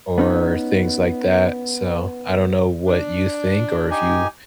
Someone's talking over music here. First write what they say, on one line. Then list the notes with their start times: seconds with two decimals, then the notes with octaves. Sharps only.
or things like that. So I don't know what you think or if you
0.18 B3 C#4 D#4
2.86 D4
3.91 D#4 G4 G#5